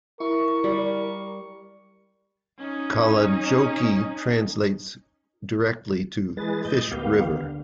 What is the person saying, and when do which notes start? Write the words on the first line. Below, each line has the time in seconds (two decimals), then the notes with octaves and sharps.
Kalajoki translates directly to "Fish River".
0.20 E4 A#4 C#6
0.64 G3
2.59 C#4 D#4
6.37 E3 G#3 G#4 B4 A6
6.65 A2 D#5 G6
6.92 D2 A#3 B3 G4 F5
7.31 D3